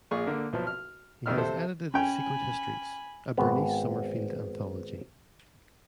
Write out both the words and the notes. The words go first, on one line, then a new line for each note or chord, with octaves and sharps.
He has edited "Secret Histories", a Bernice Summerfield anthology.
A#1 A#2 G#4 C#6
D3 A#3
B1 F3 B4 A5
F6
A#1 F2 D#3 E6 F6
C3 A4 C5
C#4 G5 G#5 B5
G#1 B3